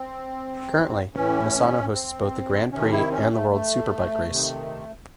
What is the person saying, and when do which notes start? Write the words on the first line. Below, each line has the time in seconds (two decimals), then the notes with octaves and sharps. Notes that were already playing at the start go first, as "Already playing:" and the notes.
Currently, Misano hosts both the Grand Prix and the World Superbike Race.
Already playing: C4
1.15 A2 E3 C#4
1.93 C4
2.72 C3 D#3 C#4
2.91 E4
3.11 C#4
3.31 A3
3.50 A3
4.29 C3 D#3